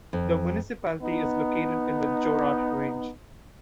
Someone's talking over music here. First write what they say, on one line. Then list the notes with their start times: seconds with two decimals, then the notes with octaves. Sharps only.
The municipality is located in the Jorat range.
0.13 F2
1.02 B3 D#4